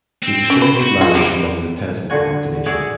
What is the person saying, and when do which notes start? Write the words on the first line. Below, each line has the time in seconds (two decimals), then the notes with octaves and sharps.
He distributed land among the peasant population.
0.23 C4
0.50 C#4
0.62 B4 C5
0.82 F#4
1.01 F4 G#4 G5
1.15 F#3 G3 A#3
2.10 A#2 D3 F#4 G#5
2.66 E4 F#4 G#4 D5